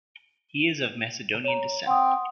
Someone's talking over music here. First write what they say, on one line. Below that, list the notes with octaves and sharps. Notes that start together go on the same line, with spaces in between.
He is of Macedonian descent.
C#5 A#5
C4 F#5 D#6